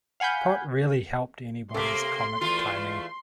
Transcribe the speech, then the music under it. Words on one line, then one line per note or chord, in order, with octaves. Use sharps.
Pot rarely helped anybody's comic timing.
F5 F#5 G#5 B5 G6
C3 A#3 A4 C6 D6 B6
E2 A3 F4